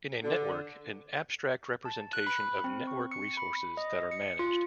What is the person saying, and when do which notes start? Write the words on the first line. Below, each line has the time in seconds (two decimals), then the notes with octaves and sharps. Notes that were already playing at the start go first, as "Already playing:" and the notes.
In a network, an abstract representation of network resources that are managed.
0.24 D3
1.85 A5
2.13 F#6
2.27 B5
2.64 C4
2.87 C#6
3.12 C#7
3.37 B5
3.77 D#5
4.11 C#7
4.39 F4